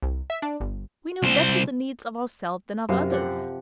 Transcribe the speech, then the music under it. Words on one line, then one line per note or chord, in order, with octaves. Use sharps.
We know better the needs of ourselves than of others.
C2
E5
D4
G1
C2 C5
F#2 C3 F#4 F5
F3 G4 F#5